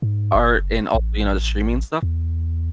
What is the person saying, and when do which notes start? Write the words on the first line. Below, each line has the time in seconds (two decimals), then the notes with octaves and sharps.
Art and also, you know, the streaming stuff,
0.02 G#2
0.35 F#1
0.95 A1
2.03 E2